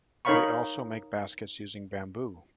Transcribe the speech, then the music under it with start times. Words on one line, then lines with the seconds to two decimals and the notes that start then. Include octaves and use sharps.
They also make baskets using bamboo.
0.25 D#4 A#4 C#5 F5 B5 C#6